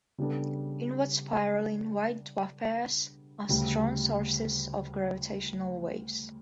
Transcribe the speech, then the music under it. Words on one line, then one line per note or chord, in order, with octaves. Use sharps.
Inward spiraling white dwarf pairs are strong sources of gravitational waves.
C#3 G3 B3 D4 A4
D2 C#3 G3